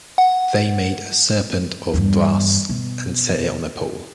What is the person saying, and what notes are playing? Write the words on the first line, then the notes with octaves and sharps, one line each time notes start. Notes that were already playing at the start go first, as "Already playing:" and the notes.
They made a serpent of brass and set it on a pole.
F#5
E2 G2
B2